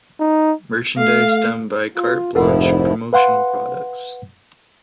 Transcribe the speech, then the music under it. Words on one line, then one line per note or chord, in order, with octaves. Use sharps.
Merchandise done by Carte Blanche Promotional Products.
D#4
A3 F5
F4
F1 F2 G#2 F3 E4 A4 A#4 F#5
B4 F5 F#5 C6